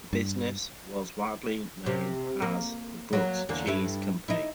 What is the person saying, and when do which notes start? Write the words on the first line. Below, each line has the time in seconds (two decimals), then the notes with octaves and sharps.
The business was widely known as the Brooks Cheese Company.
0.13 G2
1.86 C3
2.42 A#3
3.13 F#3 A#3
3.49 E2 D3 A#3
3.67 G2 E4
4.28 D#4 E4